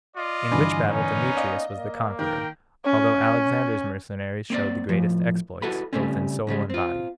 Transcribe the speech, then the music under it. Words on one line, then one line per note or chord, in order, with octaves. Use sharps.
In which battle Demetrius was the conqueror, although Alexander's mercenaries showed the greatest exploits, both in soul and body.
F4 D5 D#5
G2 D3 E3 D4 G#5 B5
A#3 B3 C#4 D#4
D5 D#5 F5
A#3
D#3 A#4 G5
C#4
A#3 C4 D5
A2 F3
E4 F#4 A4 B4 F#5 B5
C#3 E3 G3 A3 C4 C#4
G#2 C#3 G3 G#3
C4 F4